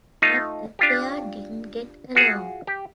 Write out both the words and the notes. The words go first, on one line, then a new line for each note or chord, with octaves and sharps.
But the pair didn't get along.
A3 D#4 F4
D4 F4 G4
F4 F#4 G#4
G4